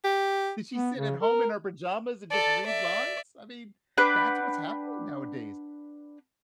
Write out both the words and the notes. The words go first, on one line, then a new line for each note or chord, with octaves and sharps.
Did she sit at home in her pajamas and just read lines? I mean, that's what's happening nowadays.
G4
B3
C#3
A#4
A4 D5
D5 E5
D4 B4 F#5 G5